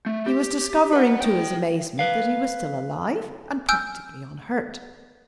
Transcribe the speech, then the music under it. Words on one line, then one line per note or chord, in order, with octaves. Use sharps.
He was discovering, to his amazement, that he was still alive and practically unhurt.
A3
G4
B4 F#5
E4 G5
B4 F5
G#5 E6 F6 G6